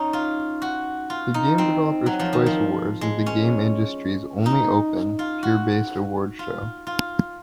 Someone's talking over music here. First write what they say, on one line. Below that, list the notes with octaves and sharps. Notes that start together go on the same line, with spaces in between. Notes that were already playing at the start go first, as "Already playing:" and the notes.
The Game Developers Choice Awards is the game industry's only open, peer-based awards show.
Already playing: C#4 D#4
F4
F#4
F4
D#4
C4
F#3
F3
D#3
F3
G#3
C#4
D#4
F4
F#4
F4
F4